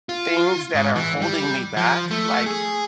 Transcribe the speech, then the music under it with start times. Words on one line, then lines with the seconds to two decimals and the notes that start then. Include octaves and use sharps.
things that are holding me back, like,
0.09 F4
0.74 G#2
0.96 E3
1.22 G3
1.77 F3
2.11 A3
2.46 G#4